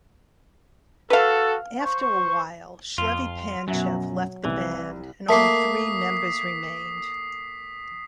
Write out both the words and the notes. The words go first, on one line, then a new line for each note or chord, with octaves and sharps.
After a while, Shlevi Panchev left the band and only three members remained.
F#4 A4 B4 F5
C5 C#6
F2 F4
F#2 B2 F#3 E5 F#7
C2 C3 E3
A3 A#3 A#4 E5 A5 D#6 B6 C7